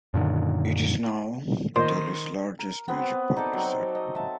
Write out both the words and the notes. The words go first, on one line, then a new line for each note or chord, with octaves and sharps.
It is now Italy's largest music publisher.
F#2 A#2 D3 D#3
A#2 D#3 C5 D#5 C6
A#4
B3 C4 F#4 B4
D#4 A4 D5
F#3 C4
D#5
E5 A5